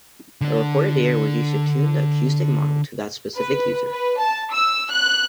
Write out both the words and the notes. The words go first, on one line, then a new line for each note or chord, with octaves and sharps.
The recorded data was used to tune the acoustic model to that specific user.
D3 D4
B4
B4
A5
E6
F#6